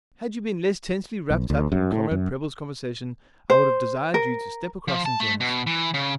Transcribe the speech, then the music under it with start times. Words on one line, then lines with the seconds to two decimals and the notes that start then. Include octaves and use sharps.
Had you been less tensely wrapped up in Comrade Prebble's conversation, I would have desired you to step across and join us.
1.31 B1
1.50 D2
1.72 F#2
1.92 A2
2.11 F#2
3.50 C5
4.14 A#4
4.88 F3
5.06 A5
5.20 A3
5.40 B2
5.67 E3
5.94 C#3